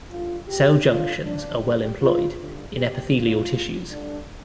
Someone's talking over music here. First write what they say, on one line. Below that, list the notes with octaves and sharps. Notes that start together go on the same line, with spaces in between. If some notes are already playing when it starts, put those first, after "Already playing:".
Cell junctions are well-employed in epithelial tissues.
G2 D3 F4
G4
G2 D3 F4
D4
G2 D3 G4
F4
G2 D3
G4
D2 D3 F4
G2 D3 D4